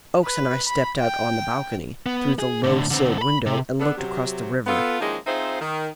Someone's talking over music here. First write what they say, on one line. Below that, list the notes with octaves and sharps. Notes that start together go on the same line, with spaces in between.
Oakes and I stepped out on the balcony, through the low-silled window, and looked across the river.
B4
B5
G5
B3
G#4
A2 D3
D3 C4
A4 B5
C3
B3 D4 A4
C3 F#3
B3 F4 A4
D#3 F3 G#3 A#3 C#4 E4
C4 D#4 F4 G#4 C5 E5
D#3